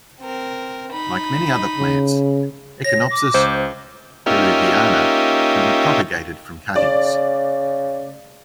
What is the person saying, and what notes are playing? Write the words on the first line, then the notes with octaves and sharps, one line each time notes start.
Like many other plants, "Echinopsis peruviana" can be propagated from cuttings.
C4 A#4
D#4 B5
C#3
C#5 A#6
D6
C#2 C5
A#3 C#4 D#4 F4 G4 E5
C#3 D5